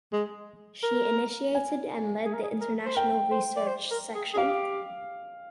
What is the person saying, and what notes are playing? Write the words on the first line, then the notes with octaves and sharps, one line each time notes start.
She initiated and led the international research section.
G#3
A#4
G#5
G#4
A#4
G#4
A#4
C5
A#4 G5
C5
D5
C5
A#4
G#4
G#4
G4 F5